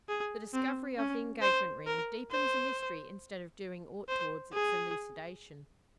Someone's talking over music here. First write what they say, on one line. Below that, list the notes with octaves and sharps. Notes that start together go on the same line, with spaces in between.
The discovery of the engagement ring deepens the mystery instead of doing aught towards its elucidation.
G#4
C4
C#4
C5
A#4
C5
C5
G#4